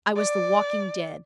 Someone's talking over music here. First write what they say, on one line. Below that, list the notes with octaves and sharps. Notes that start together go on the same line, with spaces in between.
I was the walking dead.
D5